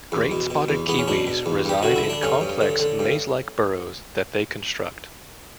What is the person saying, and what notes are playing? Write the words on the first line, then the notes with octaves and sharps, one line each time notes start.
Great spotted kiwis reside in complex, maze-like burrows that they construct.
E2
B2
B2
E2
E2 B3
C#4
B2 D4
B2
E2
G2 G4
D3 F#4
E4
D3
D4
G2 C#4
G2
D3
D3
G2